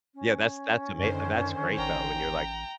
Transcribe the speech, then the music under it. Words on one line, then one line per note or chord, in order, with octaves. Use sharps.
Yeah. That's that's ama uh, that's great, though, when you're, like,
C#4
F#2 D3 D#3 C5
A1 G5 A#5